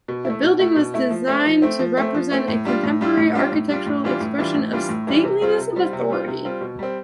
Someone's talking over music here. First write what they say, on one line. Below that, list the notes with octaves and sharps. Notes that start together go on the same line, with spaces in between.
The building was designed to represent a contemporary architectural expression of stateliness and authority.
B2
E4
A3
B2
A3 E4
B2
A3 E4
F3
A3 C4
F3
A3 C4
F3
A3 C4
F3
A3 C4
A2
G3 D4 F4
A2
G3 D4 F4
A2
G3 D4 F4
A2
G3 D4 F4
A2
E3 G3 D4 F4
A2
E3 G3 D4 F4
A2
E3 G3 D4 F4
A2
E3 G3 D4 F4
C3
G3 C4 F4
C3
G3 C4 F4
C3
G3 C4 F4
C3
G3 C4 F4
B2
G3 C4